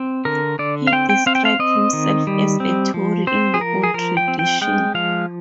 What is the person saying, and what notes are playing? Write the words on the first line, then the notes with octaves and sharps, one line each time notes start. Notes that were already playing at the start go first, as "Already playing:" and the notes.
He described himself as "a Tory in the old tradition".
Already playing: C4
D3 A#4
D3 D5
F5
C4 G5
G5
C4 F5
G5
F5
C4 D#5
D#3
G3
C4
F3
C4 C5
G#4
F3 A#4
G#4
F3 A#4
G5
C4
G5
G#3 G5
F3 F5